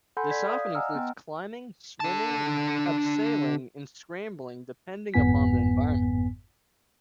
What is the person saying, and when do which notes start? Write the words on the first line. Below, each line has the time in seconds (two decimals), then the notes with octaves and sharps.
This often includes climbing, swimming, abseiling and scrambling depending upon the environment.
0.17 A4 F#5 G#5 B5 C6 G6
0.31 D5 G6 G#6 B6
0.48 D5 F5 D#6
0.75 D#5 F#5 G#5 A#5 E6 F6
0.95 B3 G5
2.00 D3 A5
5.14 G1 F2 G#2 B3 G#5 B6